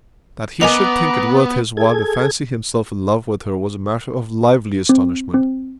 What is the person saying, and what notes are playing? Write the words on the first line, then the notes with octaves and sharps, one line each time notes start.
That he should think it worth his while to fancy himself in love with her was a matter of lively astonishment.
B3 D#4 A#4 G#5 A#5 D6
G#4 A4 G#6
C4
C4